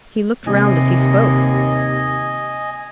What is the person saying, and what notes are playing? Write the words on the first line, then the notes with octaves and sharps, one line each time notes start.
He looked round as he spoke.
D#2 C3 D#5 G#5